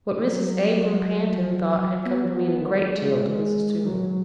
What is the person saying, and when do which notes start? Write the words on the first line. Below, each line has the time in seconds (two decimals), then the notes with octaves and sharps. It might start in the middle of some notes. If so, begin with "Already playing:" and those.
What Mrs. Abram Pantin thought had come to mean a great deal to Mrs. Toomey.
0.25 F#3
2.05 B3
2.35 B3
2.62 D#3
2.66 F#3
2.96 G#3
3.78 G#3
3.86 F#3